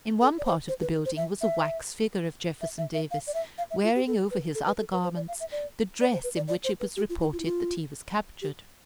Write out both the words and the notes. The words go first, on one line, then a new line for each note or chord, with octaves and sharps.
In one part of the building was a wax figure of Jefferson Davis, wearing over his other garments the dress in which it was reported that he was captured.
A4
D5
C5
C5
B4
C5
E5
E5
E5
E5
E5
F5
D5
E5
F5
E5
F4
G4
A4
B4
A4
B4
A4
B4
C5
D5
F5
E5
D5
D5
C5
B4
D5
D5
C5
B4
G4
F4
E4
F4
E4
F4
G4